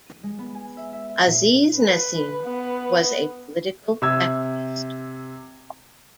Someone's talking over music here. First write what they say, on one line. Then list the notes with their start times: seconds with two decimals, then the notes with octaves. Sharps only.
Aziz Nesin was a political activist.
0.06 D#7
0.23 G#3
0.39 B3
0.55 G#5
0.77 E5
0.93 E5
1.09 E5
1.26 A#2
1.77 B4
2.44 B3
4.02 C3 E6 G#6